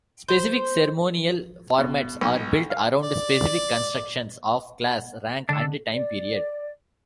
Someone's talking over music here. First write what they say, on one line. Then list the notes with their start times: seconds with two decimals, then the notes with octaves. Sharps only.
Specific ceremonial formats are built around specific constructions of class, rank, and time period.
0.29 C5
1.78 B2
2.21 B1
2.70 F5
3.02 D5
5.49 D3 G#3 D4 A4
5.94 D5